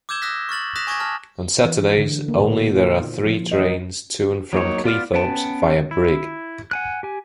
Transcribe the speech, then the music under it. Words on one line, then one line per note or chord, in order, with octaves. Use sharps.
On Saturdays only there are three trains to and from Cleethorpes via Brigg.
D6 E6 G6 G#6 E7 G7
D#6 E6 F#6 A#6 B6
C#6 F6 A6 F#7
D#6 F#6 A#6 B6 E7 F7
G#5 C#6 D#6 G#6 A#6
A5 F6
E3
D3
A#3
A#2
F#4
F4
D#4
F3
D#5
A#4
F#3 A#3 D#4 C#5
B3 F4 D5 F6
B3 C#4 B4 G5 A5
E4
F#5 G#5 F#6
G4 G#5